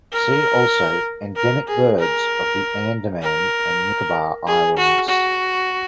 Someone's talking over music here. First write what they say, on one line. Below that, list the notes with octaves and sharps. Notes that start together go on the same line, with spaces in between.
See also Endemic Birds of the Andaman and Nicobar Islands.
A#4
A#4
G#4
A#4
A#4
G#4
F#4
F#4